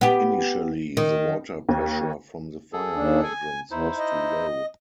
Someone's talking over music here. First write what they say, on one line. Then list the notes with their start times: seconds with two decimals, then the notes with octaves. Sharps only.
Initially, the water pressure from the fire hydrants was too low.
0.01 B3 G4
0.97 D#3
1.69 D#2
2.73 G#4 A4
2.96 D#2 D4
3.23 G#5
3.71 E2 D#4 E4 C5
3.99 D#5